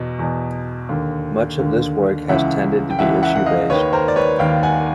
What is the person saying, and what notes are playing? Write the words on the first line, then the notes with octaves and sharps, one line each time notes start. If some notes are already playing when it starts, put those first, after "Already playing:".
Much of this work has tended to be issue-based.
Already playing: E2 B2
E2 B2
D#2 D3
D#2 D3
C#2 C#3 E3 E5 F#5
G5
C#2 C#3 E3 E5 F#5
E5 F#5
F#5
D#5 F5
D#2 D#3 B4 C#5
A#4 C5
D5
B4 C#5
D#2 D#3 F5 G5
F#5 G#5